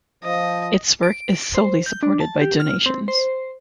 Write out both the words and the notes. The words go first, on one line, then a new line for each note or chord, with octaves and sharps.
Its work is solely supported by donations.
F3 D#5
D7
C5
G6
D4
A5
G4
F6
C4
C5